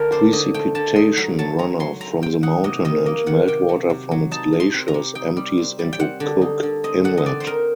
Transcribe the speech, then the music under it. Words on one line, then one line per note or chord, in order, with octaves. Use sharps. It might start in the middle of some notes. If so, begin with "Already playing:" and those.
Precipitation runoff from the mountain and meltwater from its glaciers empties into Cook Inlet.
Already playing: D3 A3 A#4
D4 C5
D3 D#5
A3 G5
D3 A5
D#4 C6
F#3 A#5
F#3 A5
F#3 A#5
F#3 C6
C4 A#5
C4 G5
D#4 F#5
C3 D#5
D#3 D#5
A#3 D#5
D#3 F#5
C3 G5
F#3
C3
F#3
D#4 A5
C3
C6
C4
A#5
C3
D#4 G5
G3
C4
G3
G5
C4 F#5
D3
D#4
D3
C4 D#5
D3 F#5
D#5
C4 D5
C5
D#4 A#4